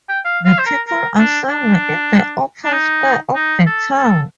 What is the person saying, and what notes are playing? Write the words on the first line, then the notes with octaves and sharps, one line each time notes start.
The people assemble in the open square of the town.
G5
F5
F5
C5
A#4
A#4
D4
D4
D4
D#4
D#4
A4
A4